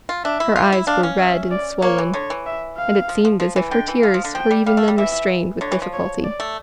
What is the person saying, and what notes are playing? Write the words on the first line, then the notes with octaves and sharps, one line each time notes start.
Her eyes were red and swollen; and it seemed as if her tears were even then restrained with difficulty.
F4
D4 E5
E4
F4 E5
E4
D4 F5
C#4
E5
D5
A#3 C#5
E3
D3 C#5
E3
E5
F5
F3
F3
F3
E3
D3 G5
E3
D3 F5
F3
D3
F3 G5
G3
G3 F5
A3
G3
E3 E5
D3 C#5
E3
F3
C#5
D5
A3